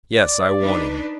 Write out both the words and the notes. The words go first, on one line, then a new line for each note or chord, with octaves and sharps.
"Yes, I want him!"
D5
D4 D#4 B4